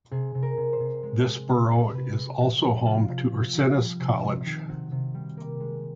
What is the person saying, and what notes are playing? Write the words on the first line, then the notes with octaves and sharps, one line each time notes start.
This borough is also home to Ursinus College.
C3 G#4
C3
A#4
C3
C5
C3
G#3
G#3
C3
C3
C3 B4
G#3
F3 F#4
F3
C3 F4
C3
C3
F3
G3
C3
C3
D#3
C3 F#4
C3
G3
A#3
G#3